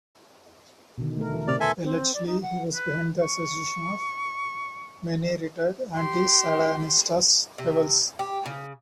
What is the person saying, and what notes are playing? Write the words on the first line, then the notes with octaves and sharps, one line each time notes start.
Allegedly, he was behind the assassination of many retired anti-sandinistas rebels.
B2 D3 D#3
A3 A#4
E2 E3
A2 C3 D5 F6
E2 A4 B4 E5 G#5 C6
C4
D5
D#4
F#5
B4
C#6
G4 C6
C3
G4
C#3